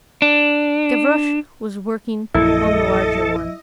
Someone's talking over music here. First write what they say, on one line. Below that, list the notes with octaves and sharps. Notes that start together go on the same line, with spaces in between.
Gavroche was working on the larger one.
D4
A#1 F#2 E4 A4 D#5